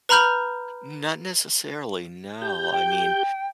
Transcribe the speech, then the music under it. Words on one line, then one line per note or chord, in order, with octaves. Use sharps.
Not necessarily, no, I mean,
B4 A#5 B5 F6 G6 F7
G4 G6
G5